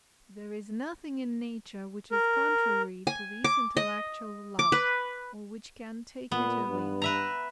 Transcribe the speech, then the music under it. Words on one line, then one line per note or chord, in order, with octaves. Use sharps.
There is nothing in nature, which is contrary to this intellectual love, or which can take it away.
A#4
G#5
D6
D#5
D6
B4
A#2 B3
G2
B4 E5 A#5